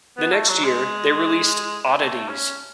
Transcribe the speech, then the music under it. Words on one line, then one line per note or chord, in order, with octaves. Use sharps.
The next year, they released "Oddities".
B3
A3
F#3
G#3
A3
C#4